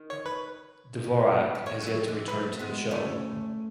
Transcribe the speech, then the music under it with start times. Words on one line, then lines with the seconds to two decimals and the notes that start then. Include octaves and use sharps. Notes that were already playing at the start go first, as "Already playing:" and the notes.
Dvorak has yet to return to the show.
Already playing: D#3
0.10 C#5
0.26 B4
1.04 C#3
1.55 E3
1.66 D#3 C#5
1.82 E3
1.87 D#3 F#3
2.08 E3 G#3
2.28 F#3 A3 B4
2.53 A3
2.59 G#3 B3
2.91 A3 C#4